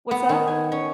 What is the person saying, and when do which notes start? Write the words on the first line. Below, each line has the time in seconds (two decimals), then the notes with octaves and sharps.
What's that?
0.11 B3
0.29 D#3
0.48 G#5
0.72 C#4